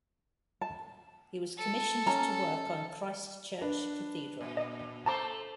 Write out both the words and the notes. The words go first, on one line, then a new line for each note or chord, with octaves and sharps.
He was commissioned to work on Christchurch Cathedral.
A5
A4
C#4 G#5 A#5
D4 B4
A#2
D#5
A3 A4 C5 A5 A#5 D6